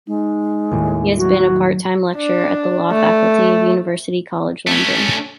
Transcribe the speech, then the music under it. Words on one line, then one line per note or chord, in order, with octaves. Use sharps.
He has been a part-time lecturer at the Law Faculty of University College London.
G#3 D#4
D#2 A2 G#5
F#3 F#4
D4
A3
A3 C#4